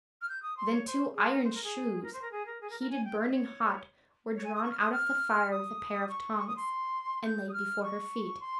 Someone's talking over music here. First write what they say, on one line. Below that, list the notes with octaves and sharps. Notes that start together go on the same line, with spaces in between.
Then two iron shoes, heated burning hot, were drawn out of the fire with a pair of tongs, and laid before her feet.
F6
G6
D#6
C6
C#5
C5
G#4
A#4
C5
A#4
G#4
A#4
C5
A#4
G#4
A#4
G#4
A#4
A#4
G#5
G5
F5
D#5
C#5
C#5
G#5
D#6
C#6
F6
D#6
F6
D#6
C#6
C#6
D#6
C6
G6
D#6
F6
C#6
C6